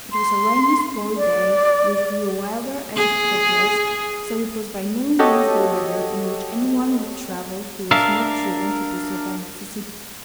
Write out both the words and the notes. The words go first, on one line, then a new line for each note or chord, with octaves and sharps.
It was a rainy, squally day, which grew wilder as it progressed, so it was by no means the weather in which anyone would travel who was not driven to do so by necessity.
C6
D5
G#4
F#4 G4 A4 C#5 D#5
D4 A#4 E5 F5